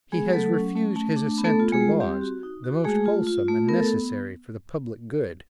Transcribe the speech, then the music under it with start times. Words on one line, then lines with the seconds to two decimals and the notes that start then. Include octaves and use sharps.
He has refused his Assent to Laws, the most wholesome and necessary for the public good.
0.12 G#3 B3 G#4
0.32 F#3 A3 A4
0.54 C#4
0.75 A3
0.96 A3
1.16 D4
1.38 B3
1.45 A3 A4
1.60 F4
1.72 G#3 G#4
1.80 G3
2.00 C4 G4
2.21 F#4
2.43 D#4
2.64 F#4
2.85 G#3 A3 G#4
3.06 F4
3.27 F4
3.48 A3
3.68 B3 A#4
3.77 A4